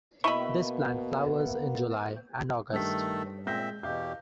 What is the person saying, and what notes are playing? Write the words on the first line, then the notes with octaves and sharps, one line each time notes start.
This plant flowers in July and August.
B2 A#3 B3 E4 D#5 B5 C#6
G2 D#3 A3 A4 B6
A#2 G#3 C4 E5 G6 A#6
E2 B2 G4 D#5 F5 G6